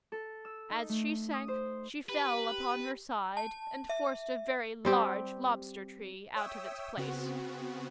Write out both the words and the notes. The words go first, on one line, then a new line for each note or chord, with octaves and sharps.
As she sank she fell upon her side, and forced a very large lobster-tree out of its place.
A4
E6
D#4
A3
D#6
C5
G4 B4
A5
E5
G3 C4 G4
C#5 E5 G5 D#6 E6
C#3 B3 C4 F#4